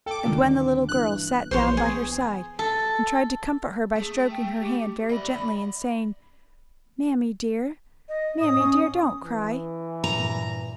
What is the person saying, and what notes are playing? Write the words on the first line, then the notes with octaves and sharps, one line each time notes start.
And when the little girl sat down by her side, and tried to comfort her by stroking her hand very gently, and saying, 'Mammie dear, mammie dear, don't cry!
A4 G5 D6
D#2 A#2 D3
G2 E3 F#6
A#1 E3 B3 C5 C#5 C6
G#4
A4
A3 G#4
G5
G4
D5 E5 B5
D#5
A2 D#6
C#4
E3
G2 A#2 A#5